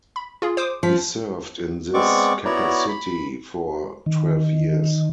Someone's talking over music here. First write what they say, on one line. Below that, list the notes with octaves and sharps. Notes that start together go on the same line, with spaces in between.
He served in this capacity for twelve years.
B5
F4 G#4
C5 D6 D#6
F3 B6
G#3 B3 C4 D5 C#6 D6
B3 E4 F#4 C#5 D5 A#5
B5
D#3